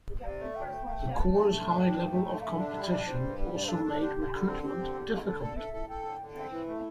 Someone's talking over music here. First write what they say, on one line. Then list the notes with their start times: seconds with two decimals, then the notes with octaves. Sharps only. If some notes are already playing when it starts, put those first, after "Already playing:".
The corps' high level of competition also made recruitment difficult.
0.23 C3 D5
0.40 A3
0.55 D2 G5
0.71 A3
0.86 A3
1.02 C3
1.17 D2 A5
1.33 A3
1.49 A3
1.65 D4
1.80 D2 G5
1.96 D2
2.12 A3
2.28 D3
2.43 D3 E5
2.59 D4
2.75 G3
2.90 D4
3.06 G3 C5
3.22 G2
3.38 G3
3.53 G2 D5
3.64 C5
3.68 D4 A4
3.85 D4
4.00 D3 G4
4.16 D3
4.32 D3
4.47 C4
4.63 C4 G4
4.79 D3
4.94 E2
5.10 D3
5.26 D3 A4
5.41 A4 D5
5.57 A4 E5
5.73 A4
5.89 A4 G5
6.05 D3
6.20 D3
6.36 C4
6.51 E3 E4
6.67 A3